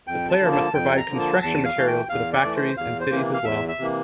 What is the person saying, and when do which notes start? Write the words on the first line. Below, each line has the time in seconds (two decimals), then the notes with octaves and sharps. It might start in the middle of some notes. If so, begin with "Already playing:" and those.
The player must provide construction materials to the factories and cities as well.
0.07 F2 G5
0.29 A5
0.40 D3 F3 A#3
0.52 A5
0.74 F2 G5
0.97 A#5
1.08 D3 F3 A#3
1.19 A5
1.43 E2 A5
1.65 F5
1.76 E3 A3
1.87 G5
2.09 E2 F5
2.33 D5
2.44 E3 A3
2.56 C5
2.77 E2 F5
3.00 C5
3.11 C3 E3 A#3
3.34 F5
3.44 E2 E5
3.68 E5
3.79 C3 E3 A#3